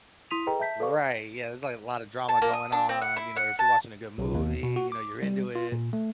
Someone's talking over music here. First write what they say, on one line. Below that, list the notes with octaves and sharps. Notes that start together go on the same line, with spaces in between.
Right, yeah, there's, like, a lotta drama going on, you know, if you're watching a good movie, you know, you're into it.
E4 C6 D#6 B6 D#7 F7
G#4 A4 B4 D#5 G5 A#5
E5 A5 G6 B6
A4 B4 D5 F5 C#6 D6
A5
A#3
D#6
D4
C4
F#5
E4
F#5
A5
B1
D#2
B2
F#4
D6
G3
F4
A#2
A3